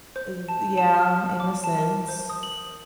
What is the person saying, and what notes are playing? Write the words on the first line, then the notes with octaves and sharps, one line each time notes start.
th yeah, in a sense.
C5
A5
A5
F6
D6
A5
A#4
C5
D#6
F#7